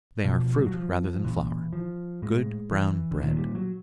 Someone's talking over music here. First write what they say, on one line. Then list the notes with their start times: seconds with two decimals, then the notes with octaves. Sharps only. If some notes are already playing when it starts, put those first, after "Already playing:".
They are fruit rather than flower--good brown bread.
0.25 B2 F3
0.57 G3
0.66 F#3
0.74 F3
1.24 A#2 E3
1.73 F3
2.22 A2 G#3
2.72 E3
3.11 D3
3.21 A#2 D#3
3.38 G3
3.55 F#3